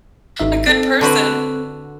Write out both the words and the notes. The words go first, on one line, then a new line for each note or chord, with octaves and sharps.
A good person.
G#1 D#4 E5
C4 A4
D3 F#4 B4